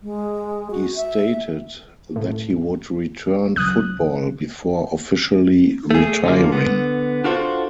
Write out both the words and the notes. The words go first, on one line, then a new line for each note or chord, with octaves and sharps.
He stated that he would return football before officially retiring.
G#3
F#4
E5
A2
C#2 F#3 D#6 F#6
A3 G#4
D3 F3 A#3
D3 B3
D4 F4 F#4 A4 C5